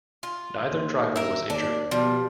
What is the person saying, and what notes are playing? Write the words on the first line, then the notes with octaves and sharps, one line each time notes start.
Neither driver was injured.
F4
D#2
A#4 E5
D#2 D4
B2 F3 G3